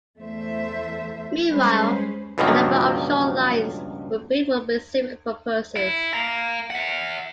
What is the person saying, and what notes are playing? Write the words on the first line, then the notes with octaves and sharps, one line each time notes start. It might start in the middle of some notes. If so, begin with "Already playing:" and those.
Meanwhile, a number of short lines were built for specific purposes.
E2 A3 C5 E5
G3 G#3 C#4 G#4 B4 C5
C#2 G2 B2 F3 F#3 A#3
E4
F5 A#5
E5 F#5